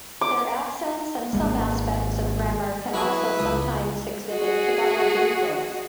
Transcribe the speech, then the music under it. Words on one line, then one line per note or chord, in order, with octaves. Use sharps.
Their accents and some aspects of grammar can also sometimes exhibit Tagalog influence.
D6
G#1 G2 G#3 A#3
F#3 E4 F#4 G#4 B4
C#2 D#6
F#4 G#4